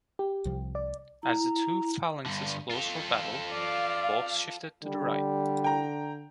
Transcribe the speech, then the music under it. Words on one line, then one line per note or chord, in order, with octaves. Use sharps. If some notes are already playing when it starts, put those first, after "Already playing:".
As the two phalanxes closed for battle, both shifted to the right.
G4
C2 C3 F3
D5
E4 A#5
G2 D3
F4 A4
D5 F5
D3 G3
G5 A#5